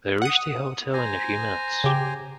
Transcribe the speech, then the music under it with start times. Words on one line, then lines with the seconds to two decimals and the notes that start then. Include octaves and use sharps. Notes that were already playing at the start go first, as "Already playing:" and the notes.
They reached the hotel in a few minutes.
0.22 F#5 D#6
0.94 C5 G#5 A#5
1.84 C#3 G4